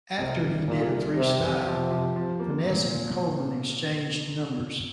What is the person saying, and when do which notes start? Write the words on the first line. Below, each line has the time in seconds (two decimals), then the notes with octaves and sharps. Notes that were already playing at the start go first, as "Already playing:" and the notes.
After he did a freestyle, Finesse and Coleman exchanged numbers.
0.18 C2 C3
0.43 G3
0.67 C2 A#2
0.92 G3
1.17 C3 G3
1.41 F2
1.66 C3 F3
1.91 F3
2.16 F3
2.40 A#3
2.65 A#2